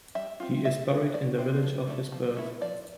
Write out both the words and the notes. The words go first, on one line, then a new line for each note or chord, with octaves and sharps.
He is buried in the village of his birth.
G3 E5
C4 F4
G3 E5
D4 F4
F3 D5
C4 E4 C5
F3
A3 D4
F3
A3 E4
F3 D5